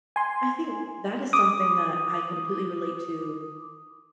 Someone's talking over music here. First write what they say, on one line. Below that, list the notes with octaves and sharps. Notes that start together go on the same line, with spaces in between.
I think that is something that I completely relate to,
G#5 C6
D6 D#6